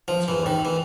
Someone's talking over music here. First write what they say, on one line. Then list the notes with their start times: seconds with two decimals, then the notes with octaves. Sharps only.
That's all right.
0.08 F3
0.28 E3
0.46 D#3
0.65 E3